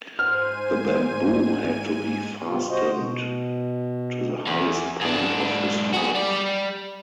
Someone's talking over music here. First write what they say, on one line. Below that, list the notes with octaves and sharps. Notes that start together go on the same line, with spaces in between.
The bamboo had to be fastened to the highest point of his house.
G#2 C5 G#5 F6 D#7
C3 G3 B3 F4
F#4 C5 D#5
B2
E2
G#2 D4
F#4 G#4
G3 D5